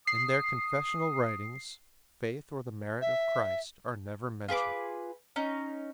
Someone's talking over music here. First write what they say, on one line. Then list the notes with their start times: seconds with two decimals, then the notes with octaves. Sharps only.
In their confessional writings faith or the merit of Christ are never mentioned.
0.07 D#6 C7
3.01 E5
4.48 F4 G#4 B4 D6
5.36 C#4 D#4